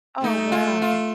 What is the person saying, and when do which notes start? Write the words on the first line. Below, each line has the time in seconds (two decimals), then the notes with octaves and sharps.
Oh, wow.
0.23 A3 D#4
0.52 F4
0.82 F4